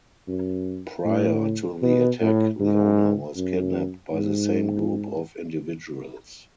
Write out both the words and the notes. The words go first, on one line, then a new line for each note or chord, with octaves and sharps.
Prior to the attack the owner was kidnapped by the same group of individuals.
F#2
A2
B2
A2
G#2
F#2
G#2